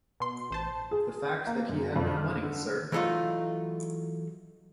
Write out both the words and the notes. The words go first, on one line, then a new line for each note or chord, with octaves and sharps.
The fact that he had no money, sir.
B2 C6
A1 C5 A5
G#4
A#3
F#2
F2
F6
D3
E3 F#3 A3 D#4 F4